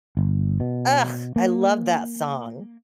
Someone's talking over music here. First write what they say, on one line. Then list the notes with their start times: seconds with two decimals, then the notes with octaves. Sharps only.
Ugh! I love that song.
0.17 G1
0.60 B2
1.36 A#3